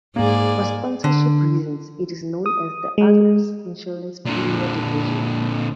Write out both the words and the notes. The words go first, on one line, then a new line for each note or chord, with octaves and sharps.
For sponsorship reasons it is known as the Argus Insurance Premier Division.
G#2 A#3 G#4 D5
D3
D#6
G#3
A#2 D3